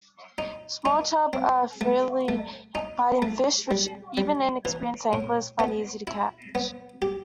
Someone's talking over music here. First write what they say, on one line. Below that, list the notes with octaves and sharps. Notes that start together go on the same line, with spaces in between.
Small chub are freely biting fish which even inexperienced anglers find easy to catch.
D#4
D#4
C4
A3
A3
D#4
A3
G3
G3
E3
A2
B3
E4
B3
G4